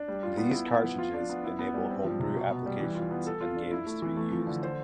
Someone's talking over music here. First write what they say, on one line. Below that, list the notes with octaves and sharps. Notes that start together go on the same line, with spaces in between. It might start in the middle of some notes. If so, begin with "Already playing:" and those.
These cartridges enable homebrew applications and games to be used.
Already playing: D4
G3
F4
B3
E4
B3
F3
F4
D4
B3
E4
B3
G3
C4
F3
C3
B2
B3
G3
E3
F4
B3
A4
F4
D4
E4
A3
E3
A3
F3
D3
C5